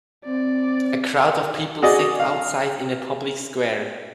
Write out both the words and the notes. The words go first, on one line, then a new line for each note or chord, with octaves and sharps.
A crowd of people sit outside in a public square.
C4 D5
F#4 G#4 D5 D#5
F5